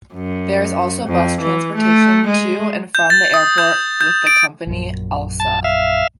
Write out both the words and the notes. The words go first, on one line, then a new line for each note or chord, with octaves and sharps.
There is also bus transportation to and from the airport with the company Alsa.
F#2
F2
E3
A3
G#3
G6
A6
D#6
G6
G6
D7
A#1 F#2
A5
E5 F5